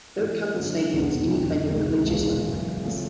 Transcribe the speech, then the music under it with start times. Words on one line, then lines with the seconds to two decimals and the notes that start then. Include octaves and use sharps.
Doak Campbell Stadium is a unique venue in collegiate athletics.
0.16 A2 E3 G#3
0.55 F#2 D3 F#3 A#3 C#4
0.93 F1 E2 B2 G#3
1.31 F#1 F2 D3 F#3
1.69 D2 C3 D#3 G#3
2.07 E1 D#2 C#3 F3 G#3
2.46 G#1 F#2 C#3 E3
2.84 C#3 F3 A3 C4